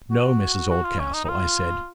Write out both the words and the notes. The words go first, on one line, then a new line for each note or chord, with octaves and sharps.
"No, Mrs Oldcastle," I said.
F#4
F#4
F4
C#4
D#4
D#4
F4